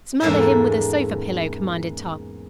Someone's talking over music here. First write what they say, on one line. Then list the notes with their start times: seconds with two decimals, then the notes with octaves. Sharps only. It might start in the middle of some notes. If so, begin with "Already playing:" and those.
"Smother him with a sofa pillow!" commanded Tom.
0.20 E2 G#2 A#3 C#4 A4 E5